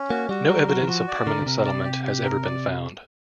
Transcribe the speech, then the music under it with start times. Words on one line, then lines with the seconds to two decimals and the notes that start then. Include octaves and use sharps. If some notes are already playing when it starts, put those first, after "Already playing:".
No evidence of permanent settlement has ever been found.
Already playing: C#4
0.10 A#3 F#4
0.29 G3 F#4
0.49 G3 A#4
0.69 F#3 F#4
0.82 E3
0.87 F3 F#4
1.08 D5
1.27 D3 A#4
1.42 C#3
1.46 C3 A#4
1.65 D5
1.84 G4
2.05 G4
2.24 A#4
2.44 D5